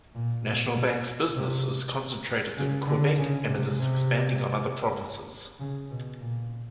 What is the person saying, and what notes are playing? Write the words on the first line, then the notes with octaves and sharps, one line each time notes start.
National Bank's business is concentrated in Quebec, and it is expanding on other provinces.
A#2
B2
B2
C3
C#3
D3
C#3
C3
C3
C#3
B2
A#2